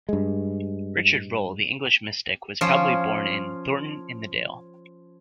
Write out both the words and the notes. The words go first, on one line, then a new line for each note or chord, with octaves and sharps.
Richard Rolle, the English mystic, was probably born in Thornton in the Dale.
G2 G#3
F3 C#4 F4